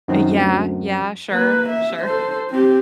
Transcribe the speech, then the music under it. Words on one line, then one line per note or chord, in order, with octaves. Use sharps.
Eh, yeah, yeah. Sure, sure.
F#2 D#3 C4
D2
A#3 B4
E5
A4 C5
C4 G4